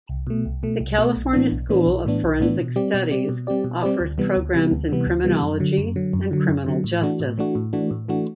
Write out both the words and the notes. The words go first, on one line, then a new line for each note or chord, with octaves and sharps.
The California School of Forensic Studies offers programs in criminology and criminal justice.
C2
B2 A3
C2
B2 A3
C2
B2 A3
B1
A2 E3 B3 D4
B1
A2 E3 B3 D4
B1
A2 E3 B3 D4
B1
A2 E3 B3 D4
B2
G3 C4 G4 D5
B2
G3 C4 G4 D5
B2
G3 C4 G4 D5
B2
G3 C4 G4 D5
D2
C3 E3 G3 B3
D2
C3 E3 G3 B3
D2
C3 E3 G3 B3
D2
C3 E3 G3 B3
F#2
D3 F#3
F#2
D3 F#3
F#2
D3 F#3
F#2
D3 F#3
A2
E3 A3 D4 F#4
A2
E3 A3 D4 F#4
A2
E3 A3 D4 F#4
A2
E3 A3 D4 F#4